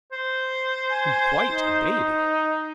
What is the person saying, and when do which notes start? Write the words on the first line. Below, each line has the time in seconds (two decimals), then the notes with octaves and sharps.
I'm quite a baby.
0.12 C5
0.92 G#5
1.52 D#4